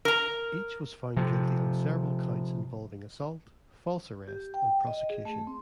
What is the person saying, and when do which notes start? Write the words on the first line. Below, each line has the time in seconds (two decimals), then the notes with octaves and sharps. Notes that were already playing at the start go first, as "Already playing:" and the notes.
Each was found guilty on several counts involving assault, false arrest, and prosecution.
0.05 A#4 A#5
1.17 C3 F3
4.28 G4
4.54 G5
4.87 D#5
5.10 G#4
5.25 A3
5.47 C4